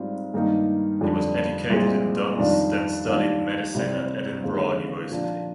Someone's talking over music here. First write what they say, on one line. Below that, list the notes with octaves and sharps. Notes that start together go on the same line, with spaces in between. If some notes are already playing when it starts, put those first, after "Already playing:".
He was educated in Duns then studied Medicine at Edinburgh University.
Already playing: G#2 G3 C4 F4
G2 D#3 A#3 D#4
F2 D3 G3 D4
C2 A#2 G#3 C4
F2 D#3 G3 D4 F4
D#2 D#3 G3 D4 F4
C2 C3 G3 C4
D#2 D3 G#3 C4 F4
A#2 F3 A#3 D4 F4